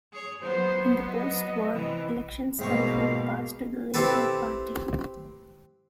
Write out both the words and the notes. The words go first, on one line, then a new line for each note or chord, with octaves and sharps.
In post-war elections control passed to the Labour Party.
G#4 C#5
F#3 B3 C5
D#5
C3 E3
G#2 B2 A#3 C4 F5 C#6
C4 E4 G4 A4 B4